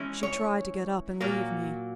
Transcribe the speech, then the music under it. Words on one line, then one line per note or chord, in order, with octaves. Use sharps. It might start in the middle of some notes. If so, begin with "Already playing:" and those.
She tried to get up and leave me.
Already playing: E3 G#3 C#4 E4
C#5
A#2 F#3 A#3